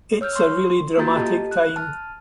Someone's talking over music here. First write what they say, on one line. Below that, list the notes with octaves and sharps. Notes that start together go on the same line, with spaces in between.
It's a really dramatic time.
C#5 E6 F6 G6
C6 C#6
A#3 F4 F#4 A#5 G6 A6
G4 A4 D#5 A5
F#6
A5 F6